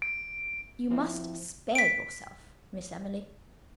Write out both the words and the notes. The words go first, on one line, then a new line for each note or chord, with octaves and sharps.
You must spare yourself, Miss Emily.
D7
F3 C4 E4
B6 D7